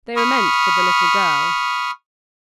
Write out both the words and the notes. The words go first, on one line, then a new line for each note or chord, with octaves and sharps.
They were meant for the little girl.
B5 C#6 D#6 F6